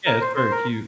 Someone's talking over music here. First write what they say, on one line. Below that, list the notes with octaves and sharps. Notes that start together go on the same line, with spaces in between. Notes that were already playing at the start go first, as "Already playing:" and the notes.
Yeah, it's very cute.
A#4
C5
C5
A#4